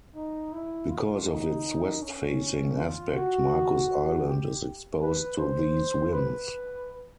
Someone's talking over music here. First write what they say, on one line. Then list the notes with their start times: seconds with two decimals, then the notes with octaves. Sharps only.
Because of its west facing aspect Marcus Island is exposed to these winds.
0.15 D#4
0.53 E4
0.90 F4
1.28 D#4
2.02 C#4
2.78 F4
3.14 F#4
4.27 G4
5.02 B4
5.38 C5
6.13 B4